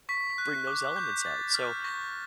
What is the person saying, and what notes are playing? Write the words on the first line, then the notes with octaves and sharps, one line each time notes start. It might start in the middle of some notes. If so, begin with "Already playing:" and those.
bring those elements out. So
C#6 B6
F#6
D6
G6
D6 A6
F6
C#6 A#6